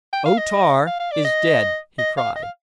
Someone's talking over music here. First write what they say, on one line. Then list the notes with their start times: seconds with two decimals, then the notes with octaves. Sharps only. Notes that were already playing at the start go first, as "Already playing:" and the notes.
"O-Tar is dead!" he cried.
0.13 G5
0.26 F5
0.38 D#5
0.87 F5
1.00 F5
1.11 D5
1.25 D#5
1.98 D#5
2.17 F5
2.36 D#5
2.43 F5